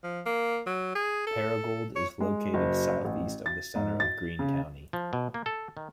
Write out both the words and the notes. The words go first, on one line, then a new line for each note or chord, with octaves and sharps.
Paragould is located southeast of the center of Greene County.
F3
A#3
F#3
G#4
A4
C#5
G#3
F#1
A1
A6
G#2
A6
C#3
F3
B2
A#3
A4
D#3